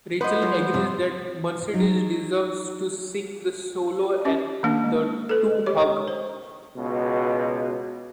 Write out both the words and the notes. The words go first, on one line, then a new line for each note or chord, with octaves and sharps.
Rachel agrees that Mercedes deserves to sing the solo and the two hug.
B3 B4 C5 D#5
F#3 G#3 F4
F#2 C3 F3
F#3 D#4
C#4 G4
D#3 A#3 D4
G#3
A4 B4
G#3 G4 C#5
C5
C#2 B2